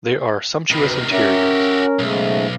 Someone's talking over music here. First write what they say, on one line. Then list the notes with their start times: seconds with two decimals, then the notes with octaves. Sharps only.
There are sumptuous interiors.
0.71 D2 C3 D#3 B4
1.12 C#4 F#4 G4 A#4 E5
1.99 B1 G#2 C#3 A3